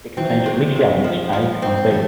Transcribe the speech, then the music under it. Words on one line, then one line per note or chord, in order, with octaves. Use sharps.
It contains at least the elements "a" and "b".
E3 F#3 C4
C3
C3
F3
F3
C4
F3 G3 A3